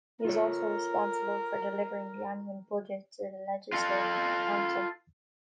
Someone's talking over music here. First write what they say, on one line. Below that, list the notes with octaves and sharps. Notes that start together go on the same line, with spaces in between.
He is also responsible for delivering the annual budget to the Legislative Council.
F4 A4 A#4 C#5
F4 A4